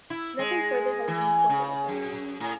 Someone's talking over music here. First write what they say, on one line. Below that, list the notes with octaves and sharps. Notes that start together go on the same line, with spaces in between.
Nothing further has been recorded of him.
E4
G#3
E3
C#3
F#2
A2